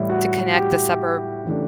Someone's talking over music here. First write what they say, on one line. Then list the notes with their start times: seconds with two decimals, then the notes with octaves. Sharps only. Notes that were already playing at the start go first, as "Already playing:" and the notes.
to connect the suburb
Already playing: A2 E3 G3 E4
0.10 F#4
0.55 G4
1.45 C#3 E3 A3 D4